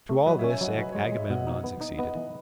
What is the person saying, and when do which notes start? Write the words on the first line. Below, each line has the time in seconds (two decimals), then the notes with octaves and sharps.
To all this Agamemnon succeeded.
0.09 A3
0.26 F#3 B4 D#5
0.38 C#5 E5
0.44 C#4
0.50 E5 G#5
0.61 F#3 D#5 F#5
0.78 F#3 B4
0.92 G#3 C#5
1.05 D#5
1.12 G#3 E5
1.30 B2 D#5 F#5
1.47 D#4
1.64 B3
1.81 D#4
1.98 B3 D#5 F#5
2.15 E3